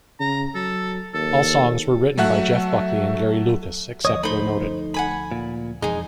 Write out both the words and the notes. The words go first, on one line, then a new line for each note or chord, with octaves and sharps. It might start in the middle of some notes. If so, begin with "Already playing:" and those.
All songs were written by Jeff Buckley and Gary Lucas, except where noted.
C#3 A#5
F#3 A4
D#2 A4
F#3 A3 E5 F#5 F#6
D2 F3 C#5 D#5 D#6
A3 D#4 C5 B5
F#5 G#5 B5
A#2
E1 F2 F3 G#3 D#4 G#4